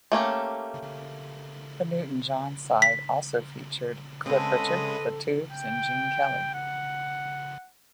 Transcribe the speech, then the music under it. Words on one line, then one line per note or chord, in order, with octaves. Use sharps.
The Newton-John side also featured Cliff Richard, The Tubes and Gene Kelly.
A3 A#3 C#4 G4
B6
C#3 G#3 C4 A4 B4 D#5 C6
G5
F#5